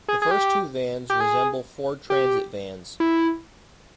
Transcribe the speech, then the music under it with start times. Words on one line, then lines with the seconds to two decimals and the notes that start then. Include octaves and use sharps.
The first two vans resemble Ford Transit Vans.
0.08 G#4
0.22 G#4
0.31 G4
1.10 G4
1.20 G#4
2.10 G4
3.00 E4